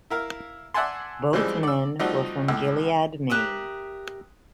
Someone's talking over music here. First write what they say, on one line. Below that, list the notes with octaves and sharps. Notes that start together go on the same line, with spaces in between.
Both men were from Gilead, Maine.
E4 A#4 F5
D5 E5 F#5 G#5 A5 C6
C#3 E3 F3 G3 G#3 C4
D5 E6
F3 G3 A3 C4 D#4 F#4
C#2 A2
G4 A#4 E5 D#6 F#6